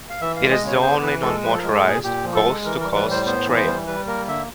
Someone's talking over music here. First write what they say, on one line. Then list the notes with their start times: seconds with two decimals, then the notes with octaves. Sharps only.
It is the only non-motorized coast-to-coast trail.
0.10 F5
0.21 E3 E5
0.36 F5
0.41 G#3
0.52 D#5
0.62 C#3 C#5
0.82 B3 C5
1.02 E3 B4
1.22 G#3 A4
1.43 F3 B4
1.54 A4
1.58 G#3 A#4
1.74 A4
1.84 A#2 G#4
2.04 A#2 G4
2.24 F3
2.35 A4
2.45 G#3
2.65 E3 A#4
2.81 G3 A#4
2.96 B4
3.05 A2
3.11 C5
3.26 B3 C5
3.46 E3
3.56 C5
3.66 G3
3.87 G3 B4
4.07 A#3 A#4
4.28 D3 E5